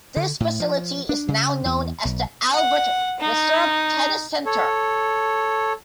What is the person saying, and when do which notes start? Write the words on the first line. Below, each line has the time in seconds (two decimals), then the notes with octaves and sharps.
This facility is now known as the Albert Reserve Tennis Centre.
0.16 D3
0.40 A2
0.60 F3
1.09 D4
1.28 C#3
1.65 E2
2.05 B1
2.52 F#5
3.20 D#4
4.46 A4 C#5